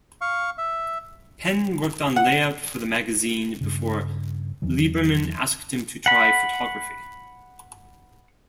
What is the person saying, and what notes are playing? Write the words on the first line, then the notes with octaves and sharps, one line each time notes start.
Penn worked on layout for the magazine before Liberman asked him to try photography.
F5 C#6
E5
F#5
G2 C#3
E2 D#3 E3 F#3
F#5 B5